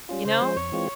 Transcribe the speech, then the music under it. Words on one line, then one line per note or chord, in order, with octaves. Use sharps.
you know,
G3 C#4 F4
C#3 C5
F3 G#3
F2 C#5
E3 G#3 C4 F4